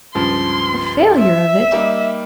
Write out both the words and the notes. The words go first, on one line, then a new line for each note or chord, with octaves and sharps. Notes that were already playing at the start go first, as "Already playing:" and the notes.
"A failure of it!"
C#2 G2 F3 C6
E5
G3 A#3 D#4